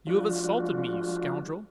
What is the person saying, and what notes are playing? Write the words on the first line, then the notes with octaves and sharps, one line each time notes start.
"You have assaulted me, you scoundrel!"
F3 G#3 D4 F4 F#4